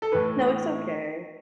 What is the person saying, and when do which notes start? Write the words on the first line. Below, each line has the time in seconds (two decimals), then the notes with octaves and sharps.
No, it's okay.
0.02 A4
0.12 A2 E3 B4